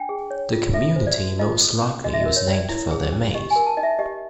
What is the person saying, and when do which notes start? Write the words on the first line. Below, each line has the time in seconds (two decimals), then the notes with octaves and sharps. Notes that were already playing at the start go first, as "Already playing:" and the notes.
The community most likely was named for their maize.
Already playing: D4 G5
0.09 G#4
0.31 C#5
0.52 F4
0.73 A4 E5
0.96 C5
1.07 D5
1.18 F#4
1.39 F4 D#5
1.61 A4
1.82 C#4
2.04 F#4 D#5
2.13 E5
2.20 D#5
2.26 A#4
2.36 C#5
2.47 C#4
2.53 D5
2.69 E4
2.91 G#4
3.13 C#4
3.35 G4 D#5
3.50 G#5
3.56 A#4
3.66 A5
3.77 D#4 D#5
3.83 E5
3.99 G4 D#5